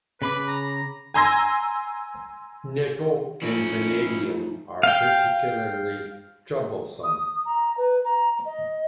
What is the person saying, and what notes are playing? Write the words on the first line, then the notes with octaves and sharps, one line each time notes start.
Nickel and vanadium are particularly troublesome.
C#3 B4 B5 D6
A#5
G#5 A#5 C6 E6 G#6 A#6
F3 A3 C#4 D#4 E4
F5 G5
D#6
A#5
B4
A#5
D#5